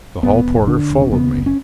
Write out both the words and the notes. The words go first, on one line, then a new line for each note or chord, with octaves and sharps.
The hall porter followed me.
E1 B3
E1
D3 D4
E1
C#4
C#3 B3
F#1
C#4